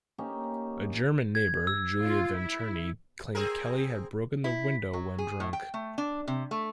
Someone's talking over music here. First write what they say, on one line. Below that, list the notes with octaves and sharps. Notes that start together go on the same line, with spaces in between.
A German neighbour, Julia Venturney, claimed Kelly had broken the window when drunk.
A#3 C#4 D#4 G4
G#6
E6
F4
E4
C4 G#4 A#4
E4
F#3
G#4
A2
G5
A3
D4
C3
A3